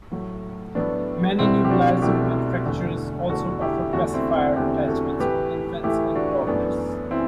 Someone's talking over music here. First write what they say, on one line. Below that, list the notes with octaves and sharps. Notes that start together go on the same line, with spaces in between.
Many nebulizer manufacturers also offer pacifier attachments for infants and toddlers.
A2 F#3 A3
A2 F#3 A3 B3 D4
C2 B2 A3 C4 E4
G4
D4 F#4
C2 B2 A3 E4 G4
E2 D3 A3
E2 D3 A3 F#4 A4
E4 G4
E2 D3 A3 D4 F#4
C4 E4
C4 E4
E2 D3 A3 E4 G4
F#4 A4
A2 E3 A3 G4 B4
A2 E3 A3 E4 G4
D4 F#4
F#2 E3 A3 B3 D4
E3 C4 E4